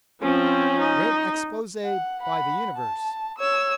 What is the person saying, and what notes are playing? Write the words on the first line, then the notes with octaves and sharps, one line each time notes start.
Great Expose by the 'Universe'!
F3 C4 C#4
D#4
F#5
F#5 B5
A5
C#5 E6